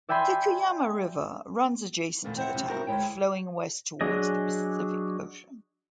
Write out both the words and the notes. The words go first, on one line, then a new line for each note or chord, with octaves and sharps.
The Cuyama River runs adjacent to the town, flowing west towards the Pacific Ocean.
D5 E5 G5 G#5 B5 C6
E2 A#2 D3 E3 A3 A#3
C4 E4 C5 D5 E5 F#5
C3 G3 C4 C#4
D#4 E4 F#4 A#4 C5 E5
D2 G#3 E4 C#5 G5
F#3 D4 G#4 D#5